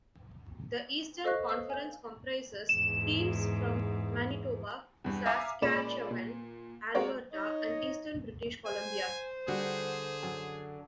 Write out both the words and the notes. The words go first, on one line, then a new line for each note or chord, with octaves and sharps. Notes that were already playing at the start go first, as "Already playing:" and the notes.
The Eastern Conference comprises teams from Manitoba, Saskatchewan, Alberta and eastern British Columbia.
A4 C5 D#5 F5 C#6 F#6
B4 F5 D#6 E6
G#5 G6
E2 G#2 E7
E2 G2
E5 F5 G#5 A#5 D6
A#2 G#3 C#4 D5 B5 E7
A#2
G#3 C4 F#4 A#4 C#5 D5
D#4 C#5 D#5
C5 G#5
D3 G3 F#4 G#4
F#2